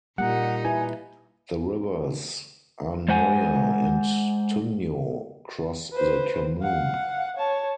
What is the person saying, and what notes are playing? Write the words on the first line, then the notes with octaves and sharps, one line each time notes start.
The rivers Arnoia and Tuño cross the commune.
A#2 G3 A#3 D#4 F#5
E4 B4 G#5
G#3 C5 F#5 G#5
B4 C5
F5 F#5
C#5 A5